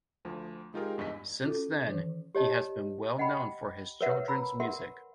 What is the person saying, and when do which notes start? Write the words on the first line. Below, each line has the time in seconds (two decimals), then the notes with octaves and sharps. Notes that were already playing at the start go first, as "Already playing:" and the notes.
Since then, he has been well known for his children's music.
0.25 D2 F3
0.74 G#3 D#4 F4 G4 G#4 A#4
0.98 E2 G2 E3 D#5 B6
1.44 C#4 F4 F#4 A4
1.87 D#3 E3
2.35 G4 C#5 D#5 A5
3.18 D#5 F#5 G5 B5
4.01 A#4 B4 C#5 E5 F#5
4.28 A#5 B5 E6
4.60 A#4 E5 F#5 C6